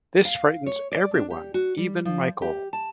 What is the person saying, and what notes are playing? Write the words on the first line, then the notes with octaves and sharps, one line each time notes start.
This frightens everyone, even Michael.
F5
C#5
D5
D4
G4
F#4
G3
F3
G4
A5